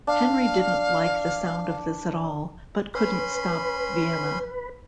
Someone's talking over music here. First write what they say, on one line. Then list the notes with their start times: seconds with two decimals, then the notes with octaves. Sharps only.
Henry didn't like the sound of this at all, but couldn't stop Vienna.
0.07 D4 F5
2.95 C#4 B4 B5 C6